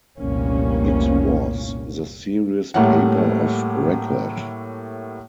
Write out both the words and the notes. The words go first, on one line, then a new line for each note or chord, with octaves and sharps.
It was the serious paper of record.
F1 C2 A#2 A#3 C#4
A2 G3 A3 A#3 C#5 F#5